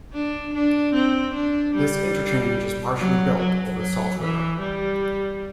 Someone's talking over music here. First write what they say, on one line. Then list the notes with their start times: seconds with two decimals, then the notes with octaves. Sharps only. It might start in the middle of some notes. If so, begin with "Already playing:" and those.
This interchange is partially built over the Salt River.
0.13 D4
0.54 D4
0.94 C4
1.34 D4
1.75 G3
2.97 F#3
3.38 F#3
3.78 F#3
4.19 E3
4.59 G3